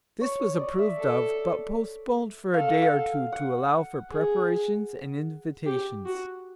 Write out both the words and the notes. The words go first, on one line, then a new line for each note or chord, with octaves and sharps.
This was approved of, but postponed for a day or two to allow for preparations and invitations.
C#5
C#5
D#5
D5
E5
A4
A4 F5
F#5
F5
F#5
G#4
G4
F#4